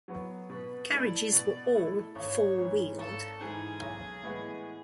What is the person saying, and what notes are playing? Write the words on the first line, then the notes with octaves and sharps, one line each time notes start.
Carriages were all four-wheeled.
F#3 B3
B2 B4
A3 E4 A4 D5
B2
A3 E4 A4
G#1 C#5
G#2 E3
G#1 A4
G#2 E3 G#4
B1
A2 E3 G#3 B3